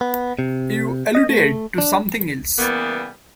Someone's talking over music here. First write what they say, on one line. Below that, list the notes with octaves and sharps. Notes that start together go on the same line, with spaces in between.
You alluded to something else.
B3
C3
D#5
A3
D4
C#3 E3 G3 A#3 B3